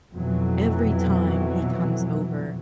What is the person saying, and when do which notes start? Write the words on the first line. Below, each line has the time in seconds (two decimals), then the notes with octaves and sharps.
every time he comes over
0.12 F2 B2 E3 F#3